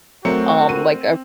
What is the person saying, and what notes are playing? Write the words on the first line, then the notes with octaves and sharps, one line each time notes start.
um, like,
F#3 A3 C4 F#4 A#4 C#7
D#7